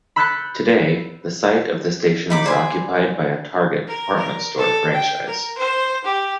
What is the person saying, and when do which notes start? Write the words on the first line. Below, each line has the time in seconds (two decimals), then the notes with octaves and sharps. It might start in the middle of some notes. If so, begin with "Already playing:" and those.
Today, the site of the station is occupied by a Target department store franchise.
0.16 B5 E6 F#6 G6 A6 C#7
2.30 D#4 B5 D6
2.46 C5 D5 G#5 B5
3.87 A#4
4.17 A#4
4.58 A4
4.93 G5
5.26 A#4
5.57 C5
6.04 G4